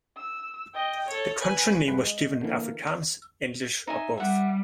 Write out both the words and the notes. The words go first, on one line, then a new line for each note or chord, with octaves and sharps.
The country name was given in Afrikaans, English or both.
E6
D#5 G5
A4 C#5
B4 G#5
G1 G#3 B4
G#3 D#5
D3 E3 A#3
D#4 E5 G#5
G3 E5 F#5